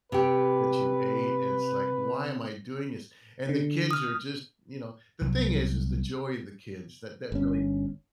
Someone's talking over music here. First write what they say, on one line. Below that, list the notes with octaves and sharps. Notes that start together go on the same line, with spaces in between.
that you ate, and it's like, "Why am I doing this?" And the kids are just you know? The thing is is the joy and the kids that that really
C3 G4 B4
D3
D#6 F6
C2 F#3
G1 C#4